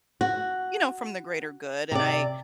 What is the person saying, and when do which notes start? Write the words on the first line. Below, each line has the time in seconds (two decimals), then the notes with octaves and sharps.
you know, from the greater good, and I
0.21 F#4
1.91 C3 D5